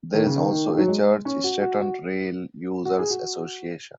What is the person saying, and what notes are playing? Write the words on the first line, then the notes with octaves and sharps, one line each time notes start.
There is also a Church Stretton Rail Users' Association.
D#3
C#3
D#3
D#3
F#3
G#3
C#4
F#4
F#4
F#4
F#4
G#4
F#4